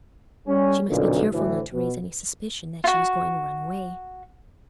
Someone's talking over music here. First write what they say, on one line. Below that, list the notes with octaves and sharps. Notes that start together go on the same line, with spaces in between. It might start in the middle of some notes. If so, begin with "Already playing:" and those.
She must be careful not to raise any suspicion that she was going to run away.
G3 C#4
B1 F2 A#2 D3
D2 A2 E3
B2
F4 F#4